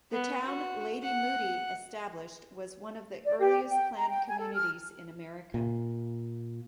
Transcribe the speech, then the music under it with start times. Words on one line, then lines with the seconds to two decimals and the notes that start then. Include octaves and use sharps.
The town Lady Moody established was one of the earliest planned communities in America.
0.12 B3
0.45 F#4
1.02 F#5
3.26 D5
3.39 G4
3.68 G5
3.97 A#5
4.09 G5
4.28 G#5
4.40 A4
4.55 F6
5.54 A#2